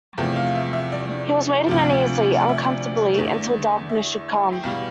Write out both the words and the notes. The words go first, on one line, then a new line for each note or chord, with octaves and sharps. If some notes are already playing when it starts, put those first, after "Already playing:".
He was waiting uneasily, uncomfortably, until darkness should come.
E2 C3 F3 A3 G5
F5
E5
E5
D5
D2 C3 F3
D5
E5
D5
E2 D3 A3
E5
G5
E2 B2 G3 F5